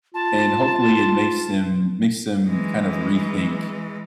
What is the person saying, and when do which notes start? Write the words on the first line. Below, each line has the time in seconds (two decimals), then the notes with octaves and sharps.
and, hopefully, it makes them makes them kind of rethink,
0.14 F4 A5
2.47 E3 G#3